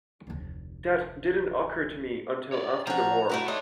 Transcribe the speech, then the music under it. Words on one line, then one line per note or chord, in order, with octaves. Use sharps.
That didn't occur to me until after the war.
F1 D2
C#5 D5
F3 F#4 A#5
A3 E4 F#4
A3 D4 D#4 C#5 C6